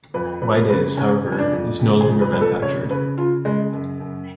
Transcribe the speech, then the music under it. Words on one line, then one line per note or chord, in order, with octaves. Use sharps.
Wydase, however, is no longer manufactured.
F2 B4
F2 B4
C#3 B4
C#3 C#4
F2
C#4
D4
F2
C#3
G#4
F2
B4
F2 B4
A4
C#3 C#5
C#3 B4
C#3 F4
C#3 G#3
F#2
F#2